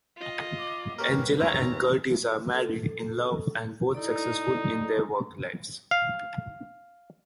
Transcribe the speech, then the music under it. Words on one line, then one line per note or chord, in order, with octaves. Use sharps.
Angela and Curtis are married, in love and both successful in their work lives.
F4 D#5
D6
A#3 C#4 G4 A#4 B4
D#2 C4 C#4 A#5
A4
D#4 E4 A4 D5
F5